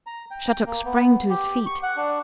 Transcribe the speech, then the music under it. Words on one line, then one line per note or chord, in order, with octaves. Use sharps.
Shattuck sprang to his feet.
A#5
G5
A#3
B3
G4
C#6
F#5
D4